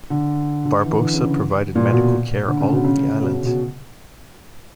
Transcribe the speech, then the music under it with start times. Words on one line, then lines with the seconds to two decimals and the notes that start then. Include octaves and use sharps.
Barbosa provided medical care all over the island.
0.10 D3
0.65 D3
0.83 E3
0.94 E3
1.01 D3
1.14 C#3
1.25 C#3
1.75 A#2
1.93 B2
2.48 D3
2.60 C#3
2.72 B2
2.84 C#3
3.22 B2
3.33 C#3
3.45 B2